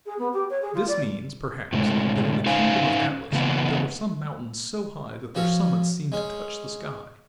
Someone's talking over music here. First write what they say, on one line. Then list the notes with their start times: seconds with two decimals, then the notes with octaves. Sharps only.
This means, perhaps, that in the kingdom of Atlas there were some mountains so high that their summits seemed to touch the sky.
0.06 G#4
0.19 B3
0.33 G4
0.50 C#5
0.62 G#4
0.74 F4
0.88 D5
1.73 A2 C3 G#3
2.46 C#4 D#4 C5 F5 G#5
3.32 C#3 E3 A#3 B3
5.35 F3 C#4 F#4
6.12 G#3 C#4